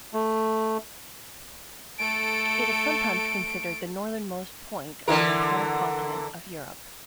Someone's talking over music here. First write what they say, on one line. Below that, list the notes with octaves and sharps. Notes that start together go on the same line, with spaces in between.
It is sometimes considered the northernmost point of the entire continent of Europe.
A3
A3 A4 D7
D3 E3 A#4